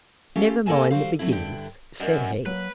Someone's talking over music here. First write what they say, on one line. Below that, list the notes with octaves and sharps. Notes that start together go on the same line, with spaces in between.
"Never mind the beginnings," said he.
A3 C#4 F4 G4 A4
A#3 A4 D#5 G#5 A5
G3 F#4 C5 F5
F#3 A3 C4 E4
G2 D3 E4 G5
F#2 A#4 D5 D#5
F#3 A#3 B4